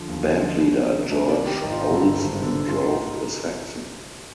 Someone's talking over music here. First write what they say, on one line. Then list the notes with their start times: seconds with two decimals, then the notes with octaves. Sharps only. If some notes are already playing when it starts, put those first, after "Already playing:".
Band leader George Olsen drove a Saxon.
Already playing: D3 F3
0.08 D#2
0.34 D3 F3
0.60 C2
0.86 C3 D#3
1.11 C2 B4
1.29 D5
1.38 C3 D#3
1.46 G4
1.64 G#1 D#4
1.72 F4
1.80 D#4
1.90 G2 D3
2.15 G#1
2.42 G2 D3
2.67 C2 F4
2.85 D#4